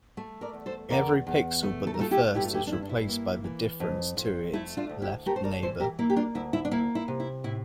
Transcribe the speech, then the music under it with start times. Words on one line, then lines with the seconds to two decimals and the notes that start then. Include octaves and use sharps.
Every pixel but the first is replaced by the difference to its left neighbor.
0.17 A3
0.41 A#4 D5
0.53 E2
0.66 A4 C5
0.90 E2 A#4 D5
1.27 E2
1.63 A3
1.87 A4
1.94 A#4
1.99 A3 F4 A4
2.11 E4 G4
2.35 G2 E4 G4
2.45 F4
2.53 E4 G4
2.67 D4
2.72 G2 E4
2.82 D4
2.89 E4
3.08 A#3
3.44 E3
3.80 F2
4.17 F2
4.53 A3 E4
4.77 D4 F4
4.89 D2
5.02 E4 G4
5.26 A3 G4 A#4
5.36 C5
5.44 A#4 D5
5.62 E3 A4 C5
5.80 G4 A#4
5.99 A#3 E4
6.10 G4
6.16 D4 F4
6.35 D2 E4
6.53 E4
6.65 D4
6.71 A#3 E4
6.95 E4
7.08 C3
7.20 E4
7.44 A2 E4